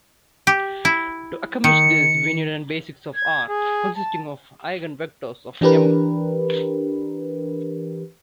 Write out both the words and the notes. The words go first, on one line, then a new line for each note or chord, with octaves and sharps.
To accomplish this, we need a basis of R consisting of eigenvectors of "M".
G4
E4
D#3 C#7
G#6
G#4
A5
E3 D4 G4 A#4 B4